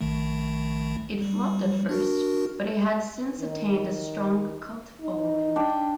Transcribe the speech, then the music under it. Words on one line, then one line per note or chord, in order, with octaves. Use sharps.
It flopped at first, but it has since attained a strong cult following.
A#1 D#3 A3
G3
D4 F#4 A#4
D#3
D#4
D4 G5